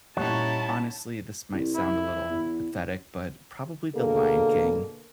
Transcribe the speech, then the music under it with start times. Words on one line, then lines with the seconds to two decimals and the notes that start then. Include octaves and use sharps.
Honestly, this might sound a little pathetic, but probably the Lion King.
0.17 A#2 G3 C#4 D#4 E4 C#5 F#5 A5
1.53 C2
1.75 E4
2.30 E2
3.95 B2 D3 A#3 G#4 A4